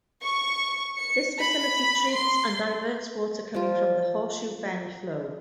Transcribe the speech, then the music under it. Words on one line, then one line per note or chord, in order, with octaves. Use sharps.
This facility treats and diverts water coming from the Horseshoe Bend flow.
C#6
C#7
B5
C6
F3 F4